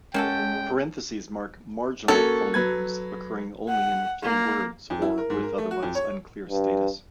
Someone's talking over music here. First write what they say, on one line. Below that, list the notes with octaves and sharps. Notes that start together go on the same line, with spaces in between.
Parentheses mark marginal phonemes occurring only in few words, or with otherwise unclear status.
G#3 A#3 C#4 F#4 A4 G5
A#3 C#4 F#4 A4
F#3 B4 G#6
F#5
A#3
F2
E4
A#4
G#2
A#4
A3
F#4
F2
C#5
G2